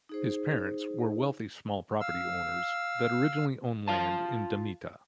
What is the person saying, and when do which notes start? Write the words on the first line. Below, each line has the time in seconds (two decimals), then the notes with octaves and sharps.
His parents were wealthy small-property owners that originally owned land in Damietta.
0.09 D#4 G#4 C5
2.00 F5 E6
3.88 F4 F5 A5